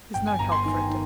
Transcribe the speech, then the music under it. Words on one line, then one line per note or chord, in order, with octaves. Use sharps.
There's no help for it, Dick.
G1 G5
G#5
G1 A#5
C6
D#3
D#3